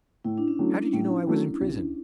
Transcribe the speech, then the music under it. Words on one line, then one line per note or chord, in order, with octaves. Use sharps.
"How did you know I was in prison?"
A2 E4
D4
C#4
F#3 A3
A2
F#3 A3
C2